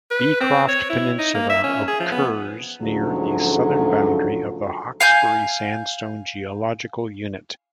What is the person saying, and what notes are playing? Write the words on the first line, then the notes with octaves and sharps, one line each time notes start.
Beecroft Peninsula occurs near the southern boundary of the Hawkesbury Sandstone geological unit.
B4
C4
C#5
E4
D#4
A#3
E5
C#4
G#4
F3
B3
D2 G#2 C#3 F3 F#3 A3
F5 G#5 G6